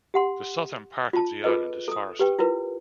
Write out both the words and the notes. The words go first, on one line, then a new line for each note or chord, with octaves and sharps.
The southern part of the island is forested.
G4 F#5 C6
F4 A5
F4 G#4 A4 B4 D#5
A4 D#6
G4 B4 G5
E4 F4 A#4 B4